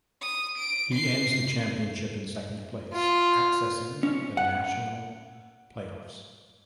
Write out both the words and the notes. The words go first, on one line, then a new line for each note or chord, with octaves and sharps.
He ends the championship in second place, accessing the national playoffs.
D#6
D7
C7
F4
C#4
F#5